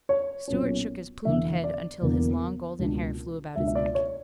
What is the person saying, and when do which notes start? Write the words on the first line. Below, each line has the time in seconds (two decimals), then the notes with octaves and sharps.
Stuart shook his plumed head until his long golden hair flew about his neck.
0.09 C#5
0.48 B1 A#2 A#3 C#4
1.25 E1 E2 D3 A#3 E5
1.64 D5
2.01 E1 E2 D3 A#3
2.79 C#2 B2 A#3 D4
3.56 C#2 B2 A#3 D4 E5
3.67 E5
3.75 D5
3.95 C#5